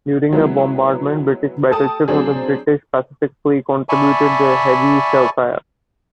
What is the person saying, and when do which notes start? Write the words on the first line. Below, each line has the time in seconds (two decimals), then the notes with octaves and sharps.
During that bombardment, British battleships of the British Pacific Fleet contributed their heavy shellfire.
0.33 F#3 G#3 B3 E4
1.71 A4 G5 A5 D#6
2.08 F#3 C4 D4 G#4
3.89 D5 E5 G#5 A5 B5 C#6